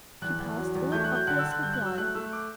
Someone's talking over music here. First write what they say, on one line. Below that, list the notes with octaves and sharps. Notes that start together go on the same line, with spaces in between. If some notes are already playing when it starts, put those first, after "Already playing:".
He passed over the obvious reply.
E2 F#6
E2
F#3
E2
A3 G6
F#6
F#3
G6
D3 F#6
E6
D3
F#6
G2 G6
F#6
F#3
E6
A3 F#6
A3 E6
D6